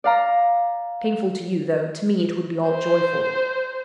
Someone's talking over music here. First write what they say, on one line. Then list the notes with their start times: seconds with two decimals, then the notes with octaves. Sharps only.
"Painful to you, though to me it would be all joyful."
0.04 D5 F5 A#5
2.69 C5